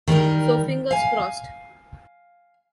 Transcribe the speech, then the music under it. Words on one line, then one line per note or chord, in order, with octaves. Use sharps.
So fingers crossed.
D#3 G3 D#4 A#4
F5 G#5